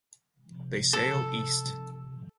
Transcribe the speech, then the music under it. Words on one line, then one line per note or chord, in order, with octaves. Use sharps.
They sail east.
A4